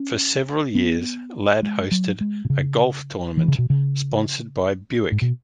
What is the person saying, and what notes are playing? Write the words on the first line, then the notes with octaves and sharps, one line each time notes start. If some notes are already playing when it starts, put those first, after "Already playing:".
For several years, Ladd hosted a golf tournament sponsored by Buick.
Already playing: C#4
B3
G#3
F#3
G#3
B2
C#3
E3
C#3
B2
C#3
G#2
B2